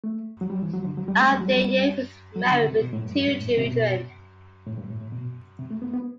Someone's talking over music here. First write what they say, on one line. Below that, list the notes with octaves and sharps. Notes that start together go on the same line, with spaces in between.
Avdeyev is married with two children.
A3
F#3
G3
E3
F#3
D3
F#3
G3
A3
G3
F#3
G3
F#3
D3
C3
B2
A2
G2
F#2
G2
A2
G2
C3
B2
A2
G2
A2
A2
B2
C3
A3
B3
B3